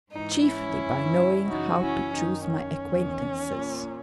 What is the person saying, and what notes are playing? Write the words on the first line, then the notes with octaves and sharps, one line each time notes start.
Chiefly by knowing how to choose my aquaintances.
G#2 E3 D#4
C#4 E4
F#2 C#3 E3
F#2 C#3 E3 D#4 F#4
C#4 E4
F#2 D#3 D#4
C#4
E2 D#3
A#2